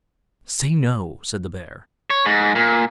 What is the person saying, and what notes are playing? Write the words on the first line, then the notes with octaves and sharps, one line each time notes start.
'Say, no!' said the Bear.
C#5
G#2
A#2